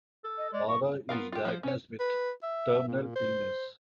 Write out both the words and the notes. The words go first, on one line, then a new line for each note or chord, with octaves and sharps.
Laura is diagnosed with terminal illness.
A4
D#5
G#3 D5
A#4 C#6
B3 F4 A#4 F5
F4 G4
F3 C5
C#4 C#5
B4
E5
A#2
C5